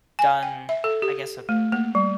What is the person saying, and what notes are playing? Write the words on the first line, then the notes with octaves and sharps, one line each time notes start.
done, I guess a
G#5
G5
E5
A4
G4
A3
A#3
G3